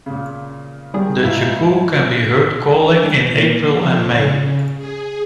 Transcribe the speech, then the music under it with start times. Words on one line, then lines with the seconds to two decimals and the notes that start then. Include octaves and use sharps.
The cuckoo can be heard calling in April and May.
0.06 A#2 C#3
0.94 D#3 G3 G#4
1.23 G#2 E4 F4 E5 F5
2.83 D4
3.28 A#2
3.72 F3
4.12 C#3
4.78 G#4